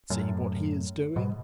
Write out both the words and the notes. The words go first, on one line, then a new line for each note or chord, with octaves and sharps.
See what he is doing.
F#2 A2
G#2 B2